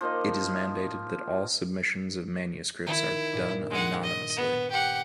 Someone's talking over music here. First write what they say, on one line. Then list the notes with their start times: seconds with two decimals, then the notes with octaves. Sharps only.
It is mandated that all submissions of manuscripts are done anonymously.
0.01 F3 A#3 D#4 D#5
2.87 D#3 E4
3.33 G2 A#2
3.71 G#3 F#5
4.03 D#5
4.37 B3
4.71 G4 F#5